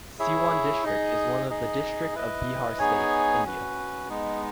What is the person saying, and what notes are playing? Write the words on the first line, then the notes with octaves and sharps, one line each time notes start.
Siwan district is one of the district of Bihar state, India.
E4 G#4 C#5 E5
D#4 G#4 D#5
D#4 G#4 D#5
E4 B4 D#5
B3 D#4 G#4 C#5 G#5
C#4 F#4 B4
G#3 B3 D#4